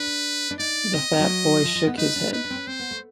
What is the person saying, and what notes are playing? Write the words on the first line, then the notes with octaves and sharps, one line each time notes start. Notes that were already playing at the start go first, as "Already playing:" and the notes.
The fat boy shook his head.
Already playing: D4 B4
D4
D#4 D5
C4 D#5
C4
F#3
F3
F3
B3
D#4 B4
D4
D#4 B4
D4
C4
C#4
C4 C5
B3
A3